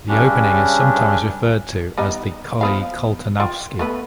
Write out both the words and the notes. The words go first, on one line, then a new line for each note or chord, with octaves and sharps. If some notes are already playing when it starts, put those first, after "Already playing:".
The opening is sometimes referred to as the Colle-Koltanowski.
G2 C#3 G3 C#4 D4
G3 B3 D#4
F3 B3 F5
F4 G5
A3 B3 B4